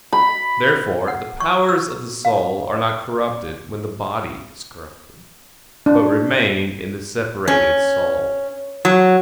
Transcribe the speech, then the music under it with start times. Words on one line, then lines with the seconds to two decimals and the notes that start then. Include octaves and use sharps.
Therefore the powers of the soul are not corrupted when the body is corrupted, but remain in the separated soul.
0.13 B5
1.08 F#5
1.40 C#6
1.69 E6
2.25 F5
5.86 D4
7.48 C#4
8.85 F#3